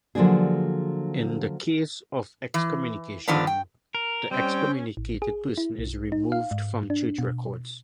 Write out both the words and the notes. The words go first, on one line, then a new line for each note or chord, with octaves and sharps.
In the case of excommunication, the excommunicated person is removed from church records.
D3 F3 F#3 A#3 D4 G#4
E3
D3 D#3 F3 B3 D4
G5
A#4
G3 C4 C#4 G5
A1
G#4
E4
B1
D#4
F5
G#2
D4
B2